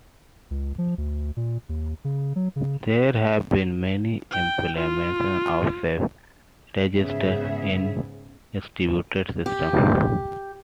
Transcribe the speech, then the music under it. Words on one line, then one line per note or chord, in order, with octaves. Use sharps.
There have been many implementations of safe register in distributed systems.
C#2
F3
D2
A#2
D#2
C#3
F#3
C#3
G5
F4
G#2 C#3 B3 G#4 E5
G4